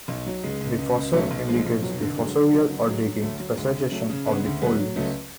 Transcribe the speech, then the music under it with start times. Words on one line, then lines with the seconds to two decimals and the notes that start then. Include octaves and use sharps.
The "fossor" indicates the fossorial, or digging, specialization of the forelimbs.
0.08 B1
0.26 F#3
0.43 C#2 G#3
0.61 C#2
0.78 C#2
0.95 C#2
1.13 B1 F#3 A3
1.31 B1
1.48 F3 G#3
1.66 B1
1.82 F1 F#3
2.00 D3
2.17 F#3 G#3
2.36 D3
2.53 C#2 F#3
2.70 F#3
2.87 F#3 G#3
3.05 F#3
3.22 D2 F#3 A3
3.40 F#3
3.57 D2 G#3
3.75 C#3
3.92 F#3 A3
4.09 C#3
4.26 C#3 G#3 B3
4.44 D2
4.62 F#3 G#3 B3
4.79 F#3
4.96 C#2 F#3 A3